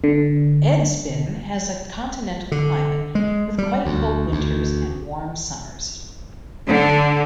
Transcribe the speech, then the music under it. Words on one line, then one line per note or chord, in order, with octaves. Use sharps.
Edsbyn has an continental climate with quite cold winters and warm summers.
D3
D3
G#3
G3
D2
D2
D3